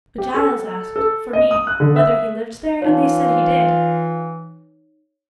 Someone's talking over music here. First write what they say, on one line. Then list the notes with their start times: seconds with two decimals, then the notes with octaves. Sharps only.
But Giles asked, for me, whether he lived there, and they said he did.
0.18 G4
0.34 A4
0.96 A4
1.33 D#5
1.51 D#6
1.67 F#6
1.80 D3
1.96 E5
2.82 E3 D#4 F4 C#5